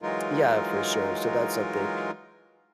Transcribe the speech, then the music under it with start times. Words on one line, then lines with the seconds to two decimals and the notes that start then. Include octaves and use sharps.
yeah, for sure, so that's something
0.02 E3 F#3 G#3 D#4 F4 A#4